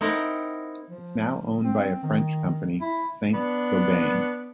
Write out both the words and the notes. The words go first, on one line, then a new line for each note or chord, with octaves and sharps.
It is now owned by a French company, Saint-Gobain.
C4 D#4 E4 A#4 F#5 G5
F3
C4
D#3
E4
B3 D4